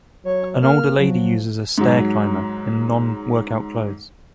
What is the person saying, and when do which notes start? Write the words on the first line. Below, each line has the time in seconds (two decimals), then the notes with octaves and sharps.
An older lady uses a Stair Climber in nonwork out clothes.
0.25 F#3 C#5
0.62 A#3 F6
0.98 F3 F#3
1.78 G#2 F#3